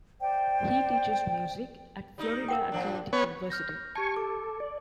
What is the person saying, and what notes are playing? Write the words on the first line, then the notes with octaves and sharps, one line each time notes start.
He teaches music at Florida Atlantic University.
C5 D5 G5
G3 D#4
A#4 F#5 G5
A2 F3 D4
B3 C#4 C#5
F6 G6 A#6
G4 G#5 A5 C#6
A4 D6
D5